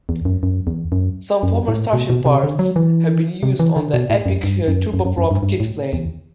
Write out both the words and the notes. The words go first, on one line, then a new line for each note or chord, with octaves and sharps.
Some former Starship parts have been used on the Epic turboprop kitplane.
E2
F#2
F#2
E2
F#2
F#2
A2
B2
B2
C3
D3
F#3
E3
C3
E3
D3
B2
A2
F#2
G2
F#2
F#2
F#2
F#2
G2
G2
A2
E2